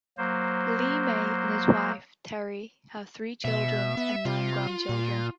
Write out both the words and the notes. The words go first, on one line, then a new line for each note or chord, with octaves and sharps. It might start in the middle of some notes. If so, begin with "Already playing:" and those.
Lee May and his wife, Terrye, have three children and nine grandchildren.
F#3 A#3 C5
B2 E5
B3
C3 F4
A#2